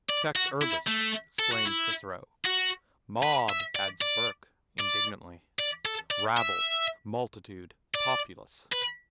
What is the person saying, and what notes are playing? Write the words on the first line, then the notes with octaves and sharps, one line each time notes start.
Fex urbis, exclaims Cicero; mob, adds Burke, indignantly; rabble, multitude, populace.
D5
F#4
E4
A3
A4
F#4
E4
F#4
B4
E5
D5
D5
D5
D5
A4
D5
E5
D5
B4